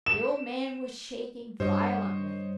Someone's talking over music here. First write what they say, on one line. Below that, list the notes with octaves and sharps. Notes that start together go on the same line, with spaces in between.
The old man was shaking violently.
E7
G2 C5 C#5 D#5